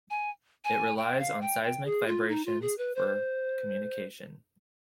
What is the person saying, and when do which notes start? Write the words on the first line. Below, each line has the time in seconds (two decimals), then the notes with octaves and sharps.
It relies on seismic vibrations for communication.
0.10 G#5
0.64 G#5
0.97 G5
1.19 F5
1.41 G5
1.64 G5
1.85 G#4
2.07 F4
2.29 D#4
2.46 F4
2.62 G#4
2.78 B4
2.95 C5